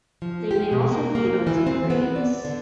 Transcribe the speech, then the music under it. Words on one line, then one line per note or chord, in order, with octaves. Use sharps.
They may also feed on some grains.
F3
G4
B2
A#3
A#3
E3
C4
B3
D5
D3